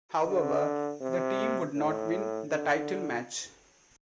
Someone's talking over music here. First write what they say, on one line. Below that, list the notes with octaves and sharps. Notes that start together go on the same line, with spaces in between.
However the team would not win the title match.
D3
C3
A2
D3